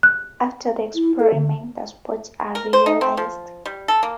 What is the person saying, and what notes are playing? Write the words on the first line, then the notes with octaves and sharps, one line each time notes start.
After the experiment, the spots are visualized.
F#6
E4
A4
D3
A#4
C5
D#4
C4
F3
G3
A4
A#3